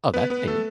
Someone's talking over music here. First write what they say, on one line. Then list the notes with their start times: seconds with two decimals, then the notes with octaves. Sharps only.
Oh, that's neat.
0.14 B3 B4
0.30 B3 B4
0.47 A3 A4